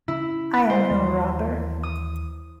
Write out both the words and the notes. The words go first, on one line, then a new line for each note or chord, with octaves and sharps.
I am no robber.
C#3 E4
C5
D#2 E3 G3
D#6